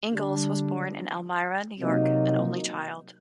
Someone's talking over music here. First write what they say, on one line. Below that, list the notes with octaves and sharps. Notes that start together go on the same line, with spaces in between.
Ingalls was born in Elmira, New York, an only child.
D3 G3 D4
C3 F#3 A#3 D#4